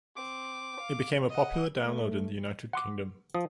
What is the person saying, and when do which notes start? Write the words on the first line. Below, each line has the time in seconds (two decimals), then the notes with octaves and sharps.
It became a popular download in the United Kingdom.
0.16 C4 D6
0.80 F5
1.29 D#5 F#5
1.84 A3
2.73 F#5 C6 D6
3.34 F3 D#6